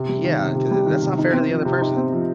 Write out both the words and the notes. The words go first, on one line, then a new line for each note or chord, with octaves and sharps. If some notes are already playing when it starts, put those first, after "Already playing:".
Yeah, 'cau uh that's unfair to the other person.
Already playing: C3
G3
D#3
C3
C3
G3
D#3
C3
D#4
C4
F3
C3
D#4
C4
F3